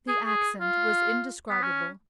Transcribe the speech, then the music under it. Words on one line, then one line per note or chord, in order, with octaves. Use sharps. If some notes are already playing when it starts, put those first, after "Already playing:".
The accent was indescribable.
G#4
G#4
F4
B3
C#4